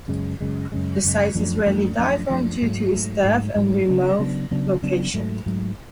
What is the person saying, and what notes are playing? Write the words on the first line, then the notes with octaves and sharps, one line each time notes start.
The site is rarely dived on due to its depth and remote location.
F#2 C#3 G#3
F#2 C#3 G#3
F#2 C#3 G#3
F#2 C#3 G#3
F#2 F3 A3 D4
F#2 F3 A3 D4
F#2 F3 A3 D4
F#2 F3 A3 D4
G#2 F#3 A3
G#2 F#3 A3
G#2 F#3 A3
G#2 F#3 A3
C#3 F#3 B3 D4
C#3 F#3 B3 D4
C#3 F#3 B3 D4
C#3 F#3 B3 D4
G#2 F#3 A3
G#2 F#3 A3